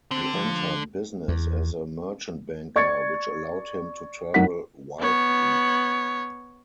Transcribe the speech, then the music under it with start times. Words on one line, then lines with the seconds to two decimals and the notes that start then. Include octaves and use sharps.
He entered business as a merchant banker, which allowed him to travel widely.
0.11 D3 C4
0.34 F3
1.28 E2
2.76 D5 C#6 G#6 A6 C#7
4.34 F#2 D#4 A#4 F#5 B6
5.00 B3 C#5